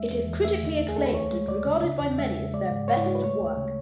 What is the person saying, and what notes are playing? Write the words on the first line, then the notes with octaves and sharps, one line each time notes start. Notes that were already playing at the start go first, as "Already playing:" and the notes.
It is critically acclaimed and regarded by many as their best work.
Already playing: E2 G#3 E5
E2
E2
A3 E5
D3
D2
G#4
A3 A4
B4
D2 C#5
G#3
D2 D5
C#3
C#3
E2
G#3 E5
C#3
G#3 D5
G#2
G#2 C#5
E4
G#3 F#4
B4
A3 C#5
D2
C#3